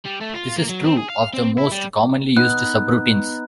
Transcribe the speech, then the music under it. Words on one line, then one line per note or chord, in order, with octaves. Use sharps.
This is true of the most commonly used subroutines.
G3
A3
F4
A#3
F#3
C4
G#4
F5
C4
E4
G3
B3 D#4 F#6